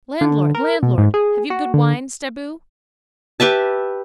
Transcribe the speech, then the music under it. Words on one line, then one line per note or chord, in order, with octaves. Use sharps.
Landlord, landlord, have you good wine, staboo?
D3
A#4
B2
G#2
G#4
F#4
D3
G4 B4 E5 A5